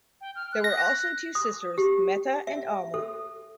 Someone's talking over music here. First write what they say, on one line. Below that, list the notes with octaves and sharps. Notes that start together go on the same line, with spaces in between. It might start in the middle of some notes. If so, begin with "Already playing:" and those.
There were also two sisters, Meta and Alma.
G5
F6
F#6
A#6
D#6
G4
E5
A4